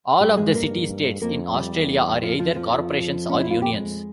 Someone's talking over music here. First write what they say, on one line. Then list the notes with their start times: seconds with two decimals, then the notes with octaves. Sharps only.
All of the City States in Australia are either Corporations or Unions.
0.20 G2 G3 G4
0.37 G#3 G#4
0.54 A#3 A#4
1.22 F2 A#3 A#4
1.54 G3 G4
1.72 E2
2.22 F2 F3 F4
2.39 F3 F4
2.56 F3 F4
3.29 C#4
3.39 E4
3.51 F4
3.62 G4
3.73 G#3 G#4